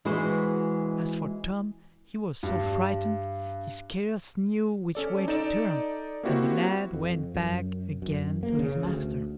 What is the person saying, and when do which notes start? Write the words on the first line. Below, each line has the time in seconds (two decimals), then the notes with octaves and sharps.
As for Tom, he was so frightened he scarce knew which way to turn, and the lad went back again to his master.
0.05 E3 G#3 E4 F#4 C5
2.43 G2
4.95 C#4 A4 D5
5.28 D#4 A4 D5 E7
6.23 A#3 C4 E4 F#4 G4 C5
6.93 F2
7.35 F#2
8.02 F#2
8.43 A#3
8.59 C#3
8.84 D2